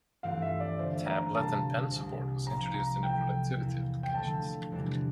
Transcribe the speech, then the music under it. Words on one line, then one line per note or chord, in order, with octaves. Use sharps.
Tablet and pen support was introduced in the productivity applications.
G2 E3 A3 C4 F4 F5
E5
D5
D3 A3 D4 F4 C5
A#5
C3 G3 C4 F4 A5
C2 C3 G3 C4
C3 F3 C4 A#5
A#5
C3 E3 A3 E4 G5
E2 E3 A#3 E4
G5
D3 F3 A3 A5
E2 C3 E3 G3 D4